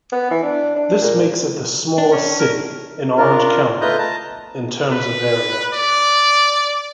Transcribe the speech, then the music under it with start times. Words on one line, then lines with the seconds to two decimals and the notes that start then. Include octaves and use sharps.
This makes it the smallest city in Orange County in terms of area.
0.12 B3
0.31 E3
0.43 D4
0.76 D4
1.02 A#2
1.98 D4
2.11 C#4
2.39 A#4
3.17 D4 F4 A#4
3.81 A3 F4 B4 D#5 A#5 G6
3.99 A5 A#5
4.93 B4
5.74 D5